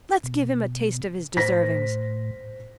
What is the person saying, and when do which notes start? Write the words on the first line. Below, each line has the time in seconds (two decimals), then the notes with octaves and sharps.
Let's give him a taste of his deservings!
0.24 B2
1.37 A2 C5 A#6 B6